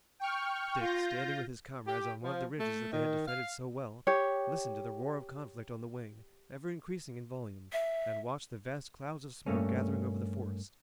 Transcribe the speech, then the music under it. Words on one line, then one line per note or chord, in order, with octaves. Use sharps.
Dick, standing with his comrades on one of the ridges that they had defended so well, listened to the roar of conflict on the wing, ever increasing in volume, and watched the vast clouds of smoke gathering over the forest.
G5 C#6 F6
F4 G6 A#6
G4
F3
A3
D#3
F5
G4 C#5
E5
G2 A3 A#3 C#4